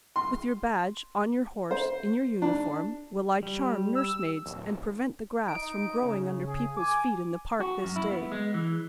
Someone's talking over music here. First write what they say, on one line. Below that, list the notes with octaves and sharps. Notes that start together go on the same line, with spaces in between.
With your badge, on your horse, in your uniform, will I charm nurse-maids and prevent the grass from growing under people's feet in the Park this day.
C6
C5
D4
G3
E6
D1
D#4 D7
C#3
G#4
G#5 D6
F#4
F#2
E4
B3
G#3
E3